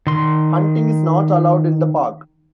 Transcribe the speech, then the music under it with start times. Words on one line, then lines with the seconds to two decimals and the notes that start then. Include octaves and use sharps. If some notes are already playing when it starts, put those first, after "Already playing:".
Hunting is not allowed in the park.
0.07 D#3 C6